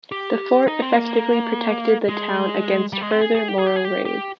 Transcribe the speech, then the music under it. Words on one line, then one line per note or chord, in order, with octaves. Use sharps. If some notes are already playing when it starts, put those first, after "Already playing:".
The fort effectively protected the town against further Moro raids.
G4
D#4
C4
A#3
G#3
G3
G#3
C4
G#4
G#4
G4
G#4
G4
G#4
G4
G4